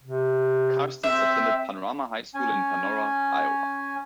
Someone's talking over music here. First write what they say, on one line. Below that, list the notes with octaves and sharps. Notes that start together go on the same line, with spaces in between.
Carstens attended Panorama High School in Panora, Iowa.
C3
C4 E5
C#4 G#5